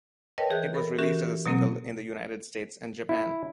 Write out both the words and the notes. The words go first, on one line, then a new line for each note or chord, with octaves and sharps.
It was released as a single in the United States and Japan.
A#4 B4 C#5 D#5 G5 A5
E3 G#4 F#6 G6
A4 A#4 B5
E3 C#4 F#4 G4 A#4
B2 F#3 A#3 C4
E4